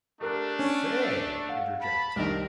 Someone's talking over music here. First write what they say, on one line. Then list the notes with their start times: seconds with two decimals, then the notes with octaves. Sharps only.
"Say," interjected Tom.
0.21 A3 D4 G4 A#4 F#6
0.59 C#4
1.48 F5 F#5
1.82 A5 B5
2.16 C2 D#3 C4 D4 A#4